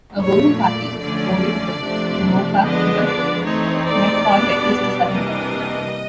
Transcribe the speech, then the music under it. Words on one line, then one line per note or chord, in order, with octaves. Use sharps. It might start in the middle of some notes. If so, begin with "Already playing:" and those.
A boarding party boarded the "Tomoka", but McCoy refused to surrender.
A#2 F3 A3 C#5
D5
D3 F3 A3 C#4 D5
C3 F3 A3 D4
D3 F3 G#3 B3 D4 D#5
D5
E3 A3 C4 D#4 C#5
D5
B2 G3 B3 D4
C3 E3 G3 A#3 D4 D#5